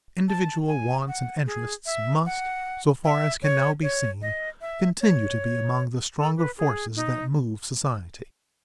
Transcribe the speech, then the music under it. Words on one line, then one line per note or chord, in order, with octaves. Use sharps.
Individual wants and interests must, so far as can now be seen, continue to be among the stronger forces that move society.
A5
G#5
F#5
G#4
E5
F#5
E5
C#5
C#5
D#5
E5
C#5
A4
B4
G#4
D#4